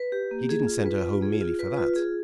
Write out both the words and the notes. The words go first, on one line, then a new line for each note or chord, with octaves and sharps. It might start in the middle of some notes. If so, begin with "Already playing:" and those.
He didn't send her home merely for that.
Already playing: B4
G4
A#3
G#4
F4
B4
F4
G#4
F4
B4
F4
G#4